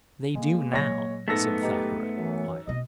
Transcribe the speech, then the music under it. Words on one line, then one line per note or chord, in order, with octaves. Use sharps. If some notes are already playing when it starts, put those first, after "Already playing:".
"They do now," said Thackeray, quietly.
D3 E3 G#3 A#3
A#2 F#3 C#5 A#6
G#2 A3 B3 A4 A#6
D#4 G4 B4
F#2 E3
B2 A#3 D#5